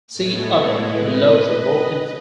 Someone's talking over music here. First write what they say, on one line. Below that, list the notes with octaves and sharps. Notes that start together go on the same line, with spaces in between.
See "Other" below for more info.
A2 G#3 B3 E4 A4 C#5
A4 C#5
B4 D#5